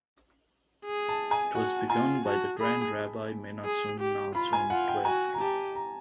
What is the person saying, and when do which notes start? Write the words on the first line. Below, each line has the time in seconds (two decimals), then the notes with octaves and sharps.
It was begun by the Grand Rabbi Menachum Nachum Twerski.
0.85 G#4
1.09 A5
1.31 G#5
1.55 F#4 F#5
1.90 F4 G#5
2.25 F#4 A5
2.59 G#4 B5
3.65 G#4
4.00 G4
4.35 F4 B5
4.53 G#5
4.70 F4 F#5
4.88 G5
5.05 F#4 G#5
5.34 A#5
5.40 G4 A5
5.75 A#5